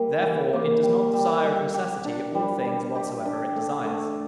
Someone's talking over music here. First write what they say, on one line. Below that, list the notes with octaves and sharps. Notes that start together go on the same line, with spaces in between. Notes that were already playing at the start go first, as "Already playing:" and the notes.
Therefore it does not desire of necessity all things whatsoever it desires.
Already playing: G3 A#3
E3
A#3
G3
G3
G3
G4
D4
G3
G3
G4
D4
A3
A3